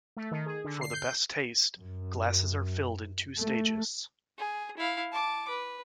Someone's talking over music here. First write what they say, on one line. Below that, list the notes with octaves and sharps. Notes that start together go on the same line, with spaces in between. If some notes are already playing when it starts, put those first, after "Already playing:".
For the best taste, glasses are filled in two stages.
A3
D#3
G#4
D3
C7
G6
F#2
A3
G#4
E4 F5
A5 D6
B4